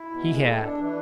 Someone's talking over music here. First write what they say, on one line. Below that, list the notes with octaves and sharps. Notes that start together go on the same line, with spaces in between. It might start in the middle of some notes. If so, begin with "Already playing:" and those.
He had.
Already playing: E4
B2
G#3
A4
D4
E3